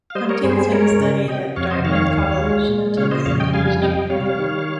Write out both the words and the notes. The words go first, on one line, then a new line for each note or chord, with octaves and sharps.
Huntington studied at Dartmouth College until the end of his junior year.
F5
G3 C5 D#5
A#4 C#5
G2 G#4 C5
G#4 C5
G#3 A#4 C#5
C#3
C3 D#5 G5
F2 C#5 F5
C5 D#5
D#3 C#5 F5
D#2
G#3
A#2
C#3 C#5 F5
C5 D#5
F2 C#5 F5
D#5 G5
G3 F5 G#5
C3 D#5 G5
G3 C#5 F5
D#3